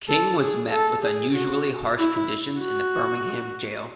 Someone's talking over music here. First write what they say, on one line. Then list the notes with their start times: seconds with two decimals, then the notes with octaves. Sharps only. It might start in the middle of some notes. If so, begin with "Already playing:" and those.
King was met with unusually harsh conditions in the Birmingham jail.
0.09 A4
0.40 G#4
0.71 A4
1.02 G#4
1.35 F#4
1.98 E4
2.60 F#4